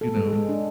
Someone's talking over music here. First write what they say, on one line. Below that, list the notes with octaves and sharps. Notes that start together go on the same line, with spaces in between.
you know,
A4
G#3
G#3
D4